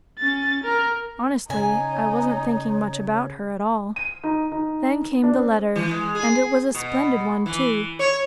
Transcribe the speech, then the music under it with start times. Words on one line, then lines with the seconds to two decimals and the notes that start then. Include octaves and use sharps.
Honestly, I wasn't thinking much about her at all. Then came the letter--and it was a splendid one, too.
0.19 C#4 A6
0.64 A#4
1.50 C#3 D#4 C#5 G#5
3.96 D#7
4.23 D#4
4.52 D#4
5.23 D4
5.37 C4
5.76 E3
5.91 G#3
6.15 G#4
6.75 B2
7.46 E3
7.99 C#5